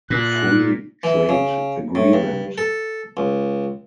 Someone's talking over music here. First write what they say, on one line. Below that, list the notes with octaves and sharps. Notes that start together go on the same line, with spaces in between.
Free Trade Agreement.
A#2 F#6
E3
C#3
A2
G2
A4
C#2